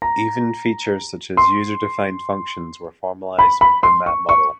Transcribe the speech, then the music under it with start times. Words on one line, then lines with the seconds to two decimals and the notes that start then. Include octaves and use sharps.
Even features such as user-defined functions were formalized within that model.
0.02 A#5
1.37 C6
3.39 B5
3.61 B5
3.83 C6
4.06 C#6
4.29 C#6